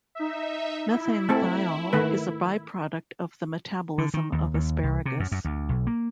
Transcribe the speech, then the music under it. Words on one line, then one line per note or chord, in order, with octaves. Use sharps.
Methanethiol is a byproduct of the metabolism of asparagus.
D#4 E5
E4
A3 C4 A4
D#3 A3 B4
D3
D#3
D#2
D#2
C2
C3
F#2
F#2
D2
B1
A#3